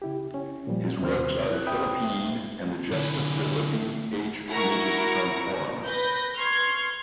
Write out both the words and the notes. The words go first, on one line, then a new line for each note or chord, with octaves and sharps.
His works are the "Philippide" and the "Gesta Philippi H. regis Francorum".
C#3 E4 G4
C#4
A#2 F3 G3
D#2 C3 C4 C5 F6
E4 F#6
E5 G5 B5 D#6
D3 E3
E4 F#4 A#4 A#5 C#6
B4 G6 A#6
C6 C#6 F6 G#6